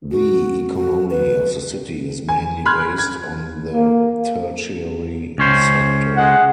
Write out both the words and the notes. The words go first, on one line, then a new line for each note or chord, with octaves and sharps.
The economy of the city is mainly based on the tertiary sector.
F#4
F#4
B4
G#5
B5 C6 F6 F#6 G#6
G#6
A#3
C#2 C#4 C5
G#3 F#5